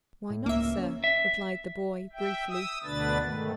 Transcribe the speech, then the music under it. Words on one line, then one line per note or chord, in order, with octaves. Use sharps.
"Why not, sir?" replied the boy briefly.
A2
C#2 A#3 E5
C#4
E5
E5 G5
D#6 E6
D2 B2 D3 D4 B4 A6
G#2 D#3 A3